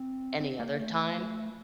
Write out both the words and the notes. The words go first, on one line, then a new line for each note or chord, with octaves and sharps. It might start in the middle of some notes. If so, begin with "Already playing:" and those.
any other time.
Already playing: C4
C4
A#3
A3